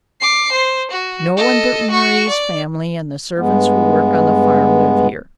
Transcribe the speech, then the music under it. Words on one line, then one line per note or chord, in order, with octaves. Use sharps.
No one but Mari's family and the servants who work on the farm live here.
D6 C7
C5
F#4
A4 D#5
F#4 C#6
D5
G2 G#3 B3